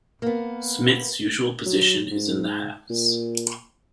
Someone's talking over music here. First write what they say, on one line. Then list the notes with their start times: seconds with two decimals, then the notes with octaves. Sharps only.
Smith's usual position is in the halves.
0.22 A#3 B3
1.66 F#3
2.11 G#2
2.90 A#2